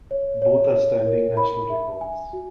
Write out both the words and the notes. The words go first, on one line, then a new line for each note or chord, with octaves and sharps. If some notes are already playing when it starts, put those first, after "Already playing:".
Both are standing national records.
C#5
C#5
C#5
A#4
B5
E5
G#5
F#4